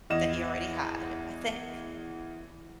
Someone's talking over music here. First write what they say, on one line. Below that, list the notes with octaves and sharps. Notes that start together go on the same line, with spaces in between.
that he already had, I think.
E2 D#5 E7